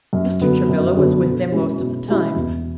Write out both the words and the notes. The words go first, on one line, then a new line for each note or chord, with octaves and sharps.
Mr. Travilla was with them most of the time.
F#2
D3 F#3 B3
F#2
D3 F#3 B3
B2
G#3 C#4 E4
B2
G#3 C#4 E4
E2